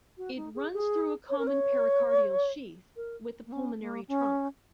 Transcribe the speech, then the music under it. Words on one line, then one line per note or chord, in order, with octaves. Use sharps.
It runs through a common pericardial sheath with the pulmonary trunk.
F#4
D#4
G#4
G#4
C#5
A#4
C#5
A#4
A#3
C#4
A#3
C#4